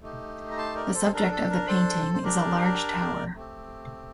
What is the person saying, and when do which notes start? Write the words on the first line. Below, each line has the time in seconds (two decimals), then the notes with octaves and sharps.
The subject of the painting is a large tower.
0.02 A3 D#4 G4
0.50 A#5
0.58 A5 C6
0.76 A#4 D5
0.86 D5
0.94 A4 C5
1.13 D4 A4 A#4
1.31 A4
1.50 A#4
1.68 A4 C5
2.14 C5
2.24 D4 G4 A#4 D5
3.34 A3 C4 G4